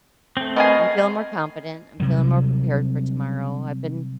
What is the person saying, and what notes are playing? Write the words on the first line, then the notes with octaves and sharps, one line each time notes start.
I'm feeling more confident, I'm feeling more prepared for tomorrow, I've been
A3 C4
B2 A#4 D#5 G#5 C7
C3 F#3 G3